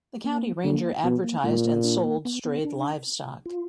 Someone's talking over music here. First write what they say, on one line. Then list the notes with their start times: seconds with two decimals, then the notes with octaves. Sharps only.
The county ranger advertised and sold strayed livestock.
0.24 A#3
0.64 D3 A#3
1.03 B2 B3
1.24 A#3
1.44 A#2 G#3
1.65 A#3
1.84 D4
2.04 A#3
2.25 B3
2.45 B3
2.65 D4
3.46 F4